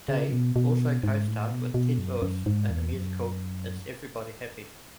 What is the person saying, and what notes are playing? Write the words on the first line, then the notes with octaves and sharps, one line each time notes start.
Day also co-starred with Ted Lewis in the musical Is Everybody Happy?
C#3
B2
B2
G#2
A2
B2
B2
F#2
F#2
G#2
E2
F#2